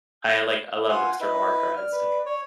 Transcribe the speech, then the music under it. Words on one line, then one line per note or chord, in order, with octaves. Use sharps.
I like, I love external hard drives, like,
F4 F#5 G#5
E4 B4 D#5
D5 F6
B4
C#5